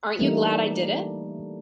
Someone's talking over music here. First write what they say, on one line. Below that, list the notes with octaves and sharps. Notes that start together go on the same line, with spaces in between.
Aren't you glad I did it?
E3 G3 A3 A#3 D4 D#4